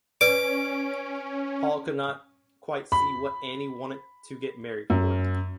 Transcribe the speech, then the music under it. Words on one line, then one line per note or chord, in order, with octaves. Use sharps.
Paul could not quite see what Annie wanted to get married for.
C#4 B4 D5 D6
B5
F#2